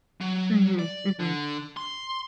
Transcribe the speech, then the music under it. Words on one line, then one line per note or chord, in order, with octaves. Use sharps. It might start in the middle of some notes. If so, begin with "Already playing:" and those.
Mhm, mhm.
F#3
D5
D3
C6